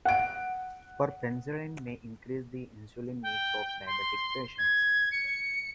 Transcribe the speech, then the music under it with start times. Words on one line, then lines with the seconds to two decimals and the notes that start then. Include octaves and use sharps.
Perphenazine may increase the insulin needs of diabetic patients.
0.05 F#5 D7
3.23 G5
3.87 C6
4.58 G#6
5.12 C#7